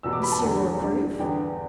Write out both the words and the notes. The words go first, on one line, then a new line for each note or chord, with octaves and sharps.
"Monsieur will approve?"
E2 B2 B3 E6
D6
B5
A5
E2 D3 G3
G2 G3 D4
E2 D3 B3 D4 G5